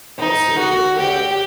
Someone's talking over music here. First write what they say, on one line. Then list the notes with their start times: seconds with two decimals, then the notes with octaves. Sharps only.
Also, they're, uh
0.20 D#4
0.59 F#4
0.99 G4